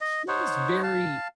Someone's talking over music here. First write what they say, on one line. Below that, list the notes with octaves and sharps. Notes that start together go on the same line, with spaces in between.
he's very
D#5
D#4 C5 C#5 F#5
F5 A5